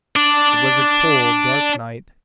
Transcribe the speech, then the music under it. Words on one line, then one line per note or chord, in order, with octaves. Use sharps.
It was a cold, dark night.
D4 D5